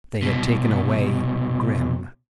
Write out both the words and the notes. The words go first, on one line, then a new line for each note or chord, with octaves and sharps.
They had taken away Grimm.
C2 B2